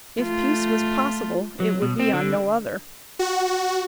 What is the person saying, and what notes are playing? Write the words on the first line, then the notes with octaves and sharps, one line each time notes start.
If peace was possible, it would be on no other.
A3 F4
F#3
B2
C4
D3
F#4